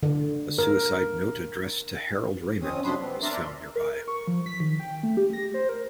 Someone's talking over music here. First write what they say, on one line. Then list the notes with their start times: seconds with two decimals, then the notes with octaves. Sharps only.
A suicide note addressed to Harald Ramond was found nearby.
0.03 D3
0.58 A#4
2.62 F2 C4 C#4 D#6
2.84 F2 C3 F#3 D4 B5 C6
3.00 B3 C4
3.22 D4 A#4 D5 E5 A#5 C6
3.76 A#4
3.94 A#4
4.08 C#6
4.28 F3
4.46 B6
4.60 D#3
4.80 G5
5.03 A3
5.17 G4
5.33 A#6
5.54 C5
5.69 A#4